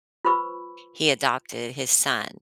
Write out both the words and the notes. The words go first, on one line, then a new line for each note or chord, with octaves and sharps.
he adopted his son,
F4 B4 C5 B5 C#6 E6